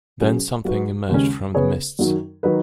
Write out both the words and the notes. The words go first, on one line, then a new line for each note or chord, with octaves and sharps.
Then something emerged from the mists.
B2 F#3 C#4 G#4
F#3 D#4 F#4 B4
D#2 C#3 G#3 C#4
C#3 B3 G#4 C#5
F#2 D#3 F#3
D#3 F#3 D#4 B4